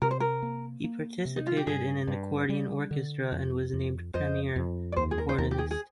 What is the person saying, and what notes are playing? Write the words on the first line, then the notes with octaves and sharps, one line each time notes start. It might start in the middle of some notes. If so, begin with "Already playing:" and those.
He participated in an accordion orchestra and was named "premier" accordionist.
C3 A#4
C5
A#4
A#3
A#3
C3
D#4
F4
G4
G2 G#4
G2
G3
D3
F2
F2
F2 C5 D#5
F2
D5
D#2 C5
G#4
A#4
C5
D#2 A#4
G4
G#4
G#4